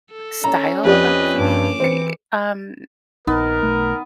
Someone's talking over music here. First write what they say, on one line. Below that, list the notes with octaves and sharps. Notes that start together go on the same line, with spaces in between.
style of the, um,
A4
C#4 A#5
F2 G4 B4 D5 D#5
G2 D6
E3 C4 C#7
A#1 B3 D#4 A#4
B1 A3